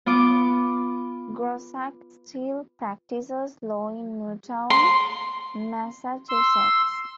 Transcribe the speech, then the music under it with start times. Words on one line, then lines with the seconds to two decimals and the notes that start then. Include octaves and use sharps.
Grossack still practices law in Newton, Massachusetts.
0.06 B3 F4 D6
4.70 C6
6.29 C6 E6